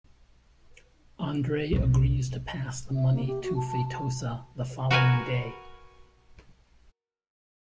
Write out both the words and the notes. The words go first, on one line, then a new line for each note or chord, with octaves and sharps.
André agrees to pass the money to Feitosa the following day.
B1 A#2
E5
A#3
G4
F#4
A5
A5
F#4 A#4 B4 G#5